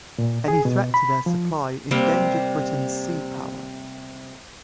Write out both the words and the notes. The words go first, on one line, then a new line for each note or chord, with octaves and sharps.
Any threat to their supply endangered Britain's sea power.
A#2
G#4
B2
B5
F3
C3 G3 A#3 C4